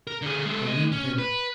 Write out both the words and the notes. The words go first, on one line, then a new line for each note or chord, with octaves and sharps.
I mean him.
A#4
D3 G#4
G#3 A4
A3 D#5
C#4
B4